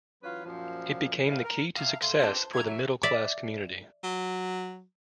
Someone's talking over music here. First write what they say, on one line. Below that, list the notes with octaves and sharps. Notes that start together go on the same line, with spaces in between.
It became the key to success for the middle class community.
E3 F#3 C#4 F4 B4
F#2 A#2 F3
A2 C3 G3 E5 F5
A#4
A2 C3 F5
B2 A3 F5 C6
C4 D4 F4 G4 B4 A5
C5
E3 F#3 E4 F#4 A#5 G#6
C#5 E5
D5 E5
F#3